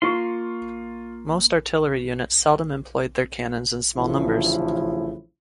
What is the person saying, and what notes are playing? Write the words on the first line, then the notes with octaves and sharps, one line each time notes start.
Most artillery units seldom employed their cannons in small numbers.
A#3 F4 C6 C#6
A1 D2 C#3 F3 E4